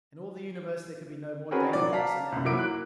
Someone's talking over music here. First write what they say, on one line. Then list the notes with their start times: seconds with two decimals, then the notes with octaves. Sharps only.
In all the universe there could be no more dangerous an enemy.
1.51 C4 C#4 F#4 G#4 A#4 B4
1.73 F#3 D5
1.93 F5 A5 A#5 B6
2.32 C2 F#2
2.45 F#3 A#3 E4 D6 D7
2.59 F#6